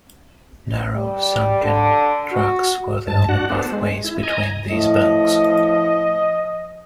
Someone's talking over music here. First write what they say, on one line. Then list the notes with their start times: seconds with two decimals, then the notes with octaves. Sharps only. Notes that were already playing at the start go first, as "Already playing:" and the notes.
Narrow sunken tracks were the only pathways between these banks.
0.95 G3
1.63 D3
2.32 F#4
3.07 G2 A5
3.29 D4 F#4 F#5
3.50 B3 D4 A4 C5
3.72 G#3
4.05 E4
4.23 D#5 G#5 A#5
4.71 A2 F3 D#5